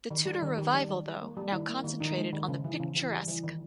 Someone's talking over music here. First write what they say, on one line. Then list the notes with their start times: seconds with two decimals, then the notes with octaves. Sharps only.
The Tudor revival, though, now concentrated on the picturesque.
0.11 D#3
0.25 G3
0.42 D#3
0.57 D#3 G4
0.74 G3
0.89 D#3
1.06 G3
1.22 A#3
1.37 G3
1.52 D#3 E4
1.69 A#3
1.84 D#3
2.00 D#3 D#4
2.17 G#3
2.33 D#3
2.48 C#3
2.64 E3
2.80 C#3
2.95 E3
3.12 G3
3.27 E3
3.44 D#3